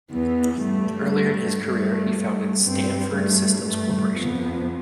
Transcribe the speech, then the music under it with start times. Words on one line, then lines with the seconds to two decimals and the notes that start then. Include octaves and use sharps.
Earlier in his career, he founded Stanford Systems Corporation.
0.11 E2 E3 B3
0.61 G2 G3 A3
1.63 G2 G3 A3
2.64 G2 G3 C4
3.15 A3
3.65 G2 G3 A3
4.15 F2 F3 B3